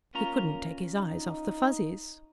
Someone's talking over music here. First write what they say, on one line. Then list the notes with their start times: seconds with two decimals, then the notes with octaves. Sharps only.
He couldn't take his eyes off the Fuzzies.
0.15 A#3 C#4 F4 A#5
0.98 D#4